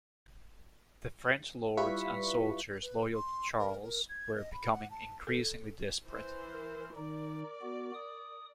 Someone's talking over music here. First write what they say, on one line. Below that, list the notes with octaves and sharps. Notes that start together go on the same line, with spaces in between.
The French lords and soldiers loyal to Charles were becoming increasingly desperate.
G3 E4 F4 B4 C#6 B6
B4
C6
A#4
A#4
G#6
D#5
B5
F#5
A5
A4
E3 C5
A#4
D#3 D#4 A#4 D5
B3 F#4
D#6